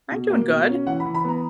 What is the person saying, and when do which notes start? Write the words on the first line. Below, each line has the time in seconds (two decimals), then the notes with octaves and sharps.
I'm doing good.
0.11 B2
0.30 A#3
0.49 B2
0.68 C#4
0.87 E3 F#5
1.00 B5
1.05 E3
1.14 B5
1.24 B3 A#5